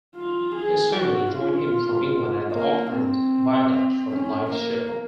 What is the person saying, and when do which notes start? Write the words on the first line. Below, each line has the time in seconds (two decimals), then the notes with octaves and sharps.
His family joined him from England at the Auckland Viaduct for the live show.
0.15 F4
0.55 G#4
0.94 F#4
1.34 F4
2.53 A#3
2.92 C4
4.11 C#4
4.51 A#3